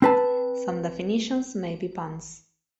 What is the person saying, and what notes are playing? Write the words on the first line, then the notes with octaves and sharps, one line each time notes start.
Some daffynitions may be puns.
C4 B4 A5